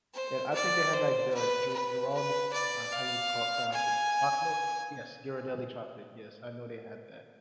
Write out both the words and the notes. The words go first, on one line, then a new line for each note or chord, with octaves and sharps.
And I think they had, like, the Gir Giraldi uh, how you call pronounce it? The chocolate Yes, Ghirardelli chocolate, yes, I know they had that,
C5
D5
C5
B4
B4
B4
D5
F5
G#5